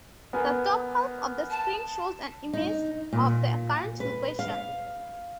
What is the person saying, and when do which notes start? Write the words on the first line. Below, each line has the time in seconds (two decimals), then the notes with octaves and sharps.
The top half of the screen shows an image of the current location.
0.33 B3 A#4 G#5
1.51 A5
2.53 D#4
3.13 A#2
4.00 B4
4.39 F5